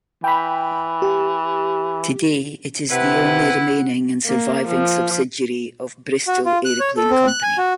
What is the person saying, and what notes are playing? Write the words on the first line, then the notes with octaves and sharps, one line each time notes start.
Today it is the only remaining and surviving subsidiary of Bristol Aeroplane Company.
E3 G5 B5
G4
C3 E4 B4 F#5
A#3
F3
F#4
F4
F#6
C#5
A4
C4
F#6
G#5
F#4